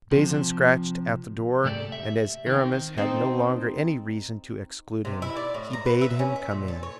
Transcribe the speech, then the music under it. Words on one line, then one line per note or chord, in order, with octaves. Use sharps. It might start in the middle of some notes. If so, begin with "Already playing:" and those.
Bazin scratched at the door, and as Aramis had no longer any reason to exclude him, he bade him come in.
C3 F3
C2 G#2 A3 G4 A4 D5
E5
D#3 C4
C4 D#4 A4
C3
E4
D5
A2
A#5
B4
E5
C#4
E5
A#2
A4
C#5